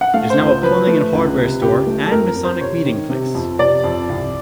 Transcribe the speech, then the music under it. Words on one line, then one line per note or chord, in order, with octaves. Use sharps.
It is now a plumbing and hardware store and Masonic meeting place.
F#5
A3 F5
C5
C#2
C5
F3 B4
A3
C#2
C3
C#2 G4
A3
A4
F2 A#4
A#4
F2
C5
C3 C#5
D#3
C3
F2
C3 D5
F2
C2